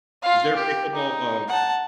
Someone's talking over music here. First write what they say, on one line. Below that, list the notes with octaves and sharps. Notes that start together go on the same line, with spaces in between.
is there pickleball, um
F4 F5
G4
D#4
F#5 A5